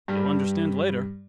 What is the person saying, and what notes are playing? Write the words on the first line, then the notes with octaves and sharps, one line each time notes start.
You'll understand later....
G2 G3